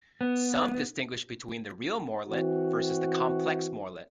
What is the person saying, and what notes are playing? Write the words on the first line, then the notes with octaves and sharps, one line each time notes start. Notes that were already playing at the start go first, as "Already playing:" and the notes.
Some distinguish between the "real Morlet" versus the "complex Morlet".
B3
E3 C4 F#4